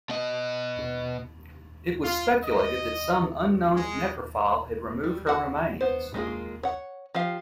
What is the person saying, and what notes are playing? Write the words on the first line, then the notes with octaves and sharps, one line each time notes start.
It was speculated that some unknown necrophile had removed her remains.
B2 D#5
F4
D#5
G#3
G3
F#4 F#5
B3 C5
G#3 A#3 D4 F4 G#4
C#5 F#5
F3 G4 F5